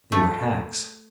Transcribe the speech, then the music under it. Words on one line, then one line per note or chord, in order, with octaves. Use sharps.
They were hacks.
A3